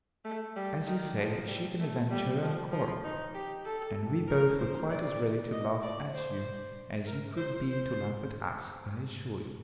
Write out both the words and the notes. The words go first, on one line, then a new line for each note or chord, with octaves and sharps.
"As you say, she can avenge her own quarrel, and we both were quite as ready to laugh at you, as you could be to laugh at us, I assure you."
A3
G3
D#3
F3
G3
A3
G3
F3
F3
D#4
G4
A4
A#4
C5
D5
D#5
D5
C5
A#4
C5
C5